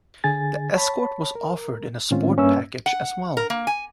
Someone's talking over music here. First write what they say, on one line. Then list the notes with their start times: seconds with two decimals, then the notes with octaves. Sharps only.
The Escort was offered in a Sport package as well.
0.24 D3 G#4 G#5 A6
0.74 C#5 A5 B5
1.35 A#4
2.11 A2 D#3 G#3 C4 C#4 F4
2.37 G2 A#3 C#4 B4 E5 E6
2.86 F#5
3.37 A#4
3.50 A#3
3.67 G#5